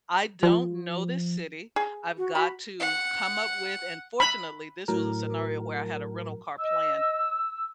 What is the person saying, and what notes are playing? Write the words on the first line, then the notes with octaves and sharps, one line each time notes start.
I don't know this city, I've got to come up with- and, fortunately, this was a scenario where I had a rental car planned,
F3
G#4
F#4
F#4 B5
F#5
B5
A2 F#3 A#4
D#5 E6